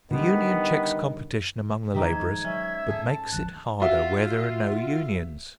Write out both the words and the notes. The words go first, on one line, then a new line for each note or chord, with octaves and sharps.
The union cheeks competition among the labourers, but makes it harder where there are no unions.
D3 D#3 G3 B3
G#2 B2 D#3 F3 D#4 E5 G5
G#6
F#3 C#4 E5
G#2 G#4 A4
A5
D1 G#1 F3 F#6
F4 F#4 E5